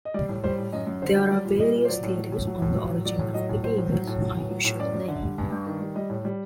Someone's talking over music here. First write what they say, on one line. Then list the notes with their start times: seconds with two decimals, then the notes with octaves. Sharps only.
There are various theories on the origin of Pity Me's unusual name.
0.05 D#5
0.14 G3 D5
0.29 A2
0.44 G3 C5
0.58 A2
0.73 F#2 D#5
0.87 F#2
1.02 D3 C5
1.16 F#3
1.31 G3 D5
1.45 A#2
1.60 G3 D#5
1.75 A#2
1.85 C5
1.88 F#3 D5
2.03 A2
2.18 F#3
2.32 A2
2.47 F#3
2.62 A2
2.76 F#3
2.91 A2
3.05 F#3 D5
3.19 A2
3.34 F#3 D#5
3.49 A2
3.63 F#3 C5
3.78 A2
3.92 F#3
4.07 A2
4.22 F#3
4.37 A2
4.51 F#3
4.65 A2
4.80 F#2 D5
4.94 F#2
5.08 D3
5.23 G3
5.38 G2
5.52 G2
5.67 D#3
5.81 G3
5.95 G3 D#5
6.10 A2
6.25 G3